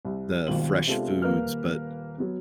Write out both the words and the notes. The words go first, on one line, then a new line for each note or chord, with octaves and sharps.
the fresh foods, but
C2
D#1 G#1 B2 D#3 F4 F#7
C3 G#3 B3 D4 F4 A4
D#1 A#3 A#4 B4 F6
F#3 B3